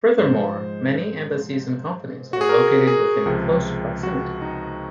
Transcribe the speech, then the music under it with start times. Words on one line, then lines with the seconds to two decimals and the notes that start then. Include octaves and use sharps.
Furthermore, many embassies and companies are located within close proximity.
0.18 G#2 F3 G#3 C5
2.33 F#4
2.41 G#4
2.49 A#4
2.87 G#4
3.26 C#2 C3 F3
4.03 F#4
4.42 D#4